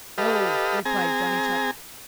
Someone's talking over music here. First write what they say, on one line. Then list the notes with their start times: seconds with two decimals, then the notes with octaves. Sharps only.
"No," replied Johnny Chuck.
0.18 G4 A4 B4 D#5 F5
0.85 C4 G#4 G#5 A#5